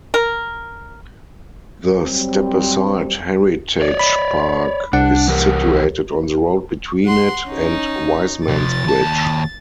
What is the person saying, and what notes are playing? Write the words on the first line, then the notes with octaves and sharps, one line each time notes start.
The Stepaside Heritage Park is situated on the road between it and Wisemans Bridge.
A#4
F#3 G3 C4
C#5 D5
B5
C2 D4 F#5
E3 G4 A#4
F#5 C6
C#4 D#4
C3 F3 A6
D#2 A5